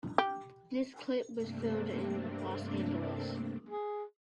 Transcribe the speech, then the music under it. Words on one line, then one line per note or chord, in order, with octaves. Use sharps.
The clip was filmed in Los Angeles.
G4
G2 C3 A3 A#3 C4 D4
G#4